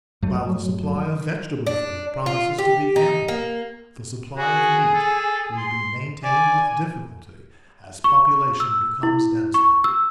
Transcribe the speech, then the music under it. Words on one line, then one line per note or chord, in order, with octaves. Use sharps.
While the supply of vegetable food promises to be ample, the supply of meat will be maintained with difficulty as population becomes denser.
G2 F#3 A3
D4
F4
G4
D#4
A#3
F#4 G#4
A4
C6
D5 G#5
C#6
E6
E4
C#6
E6